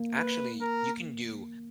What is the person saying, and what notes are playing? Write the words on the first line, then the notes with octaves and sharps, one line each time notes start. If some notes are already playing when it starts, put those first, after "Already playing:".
Actually, you can do
Already playing: A#3
B4
A#4